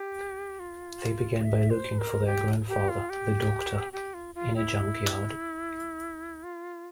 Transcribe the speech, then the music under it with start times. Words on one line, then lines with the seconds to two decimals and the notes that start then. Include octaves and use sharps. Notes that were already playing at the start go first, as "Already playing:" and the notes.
They began by looking for their grandfather, the Doctor, in a junkyard.
Already playing: G4
0.59 F4
1.43 E5
1.70 C5
1.99 A#4
2.26 G4
2.68 G4
2.89 F4
3.10 G4
3.93 G4
4.14 F4
4.35 F4
4.56 E4
6.43 F4